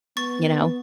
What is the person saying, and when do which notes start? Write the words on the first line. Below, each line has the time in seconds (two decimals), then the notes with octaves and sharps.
you know,
0.17 B3 C#6 A6